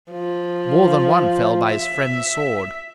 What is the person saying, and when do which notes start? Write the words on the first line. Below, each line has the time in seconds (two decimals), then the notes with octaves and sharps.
More than one fell by his friend's sword.
0.11 F3
1.68 E5